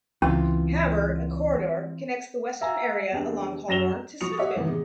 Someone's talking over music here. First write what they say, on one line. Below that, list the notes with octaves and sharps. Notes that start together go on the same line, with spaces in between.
However a 'corridor' connects the western area along Holborn to Smithfield.
C#2 E3 C4 C#4 F4
E5 F5 G#5 A#5 E6
E2 C3 D4
F#2 F#3 A#6 E7 F7 G7
F3 F#4 C#6 D#6 C#7 F7
G4 C#5 E5 F#5 D6
A2 C3 D#3 E3
G#3 B3